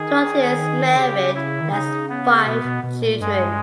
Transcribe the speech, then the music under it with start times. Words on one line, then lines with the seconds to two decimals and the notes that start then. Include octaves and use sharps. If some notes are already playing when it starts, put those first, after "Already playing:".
Trottier is married and has five children.
Already playing: D#3 G#4
0.96 C#3 G4
1.34 E4
1.61 D#3
1.71 C#3 D#4
2.09 B3
2.46 B2 B3
2.65 B2
2.83 B2
3.03 A#2
3.21 G2 G#3